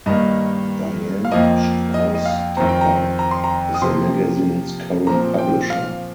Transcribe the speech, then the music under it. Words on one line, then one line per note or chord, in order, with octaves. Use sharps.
Diane Straus Tucker is the magazine's current publisher.
G2 D#3 A#3 D#5
F5
F2 F3 A#3 D#5
D#5
D#5
F5
F2 D#3 C4 A#5
G5
A#5
A#5
C6
A#5
D#6
C3 F3 A#3 C6
A#2 F3 C4 A#5
G5
F5